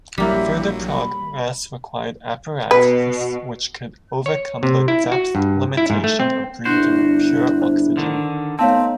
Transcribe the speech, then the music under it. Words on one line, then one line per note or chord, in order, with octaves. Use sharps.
Further progress required apparatus which could overcome the depth limitation of breathing pure oxygen.
A#1 F#3 G3 A#3 E4 G4 E5
B5
B2 B4
C#5
C3
E4
F#4
G2
E4
G#2
A3
C4
G1 D4 E4 F#4 C5
C5
D3 D#3
A3 B3 C4 D#4 C#5 F5 A5